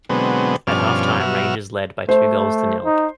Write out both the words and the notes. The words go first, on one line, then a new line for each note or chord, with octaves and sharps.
At half-time Rangers led by two goals to nil.
B2 D3 F#3 G#3 B3 C4
G2 B2 F3 C#4 D5 F6
B2 F#3 F#4 E5 F6
A3 C5
D#4